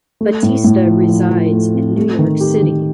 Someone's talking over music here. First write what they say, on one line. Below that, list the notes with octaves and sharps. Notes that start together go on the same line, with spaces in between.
Batista resides in New York City.
A3
A2
A2
F3
F3
F3
A3
C4
A3
D#3
G4
D#3